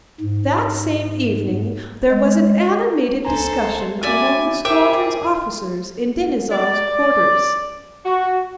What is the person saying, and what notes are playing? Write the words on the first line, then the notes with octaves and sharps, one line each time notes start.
That same evening there was an animated discussion among the squadron's officers in Denisov's quarters.
G#2
G#3
C#2 A4 C5 G#5 A#5
C4 E4 F#4 D5 G#5
G4 G#4 A#4 C5 E5 G5 D6
D5
F#4